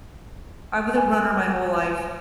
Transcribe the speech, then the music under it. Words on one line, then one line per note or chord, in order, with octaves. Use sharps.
I was a runner my whole life.
G#5